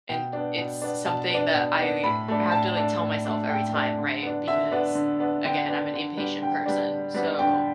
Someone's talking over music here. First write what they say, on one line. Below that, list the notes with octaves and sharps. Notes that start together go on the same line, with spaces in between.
And it's something that I have to, like, tell myself every time, right, because, again, I'm an impatient person, so
B2 G5
B3 D4
B2
B3 D4
B2 A5
B3 D4
B2
B3 D4
A2 B5
A3 D4
A2 A5
A3 D4
A2
A3 D4
A2 G5
A3 D4
D3
B3 D4
D3 E5
B3 D4
D3
B3 D4
D3 G5
B3 D4
D3
G3 B3 D4
D3 G5
G3 B3 D4
D3
G3 B3 D4
D3 G5